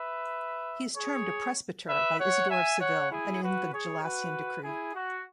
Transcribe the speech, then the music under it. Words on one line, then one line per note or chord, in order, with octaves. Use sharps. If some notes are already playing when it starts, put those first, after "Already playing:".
He is termed a presbyter by Isidore of Seville and in the Gelasian decree.
Already playing: B4 E5
G#4 C#5
B4 E5
C#5 F#5
E5 G#5
C#5 F#5
E4 G#4
F#4 B4
G#4 C#5
F#4 B4
E4 G#4
F#4